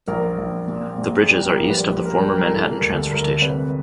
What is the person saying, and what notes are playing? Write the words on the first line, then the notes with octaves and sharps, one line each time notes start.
The bridges are east of the former Manhattan Transfer station.
A#1 A#4
A#1
A#2
A#2
G3
A#4
A#1
B4
A#1
A#4
G3 A#4
A#4
E3 A4
A#4
D2
A4
D2 A#4
C3 B4